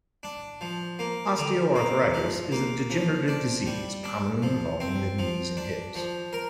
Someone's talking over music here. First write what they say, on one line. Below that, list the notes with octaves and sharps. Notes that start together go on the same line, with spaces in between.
Osteoarthritis is a degenerative disease commonly involving the knees and hips.
D4
F3
A#3
D3
A#3
F3
A#3
F3
D4
G3
D4
F3
C4
F3
D4
F3
A#4